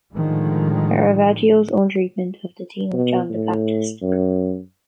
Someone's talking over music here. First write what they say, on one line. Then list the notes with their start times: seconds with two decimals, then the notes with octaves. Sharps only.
Caravaggio's own treatment of the theme of "John the Baptist".
0.15 A2 D3 D#3 F3 G#3
2.93 B2
3.30 A2
4.02 F#2